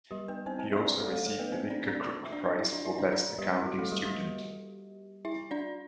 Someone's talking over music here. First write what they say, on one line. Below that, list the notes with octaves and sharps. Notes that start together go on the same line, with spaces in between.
He also received the Victor Crooke Prize for Best Accounting Student.
G3 G4
B3 B4
C4 C5
C4 C5
E4 E5
D4 D5
A3 A4
A3 A4
A3 A4
B3 B4
C4 C5
D4 D5
D4 D5
E5
D4 D5
E4 E5
D4 D5
E4 E5
D4 D5
D4 D5
G3 G4
E4
F#4
A3 A4
G3 G4
G3 G4
E4 E5
D4 D5